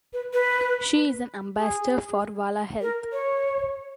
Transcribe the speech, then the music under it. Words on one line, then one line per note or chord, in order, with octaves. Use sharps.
She is an ambassador for Vala Health.
B4
B4
G#4
A#4
C#5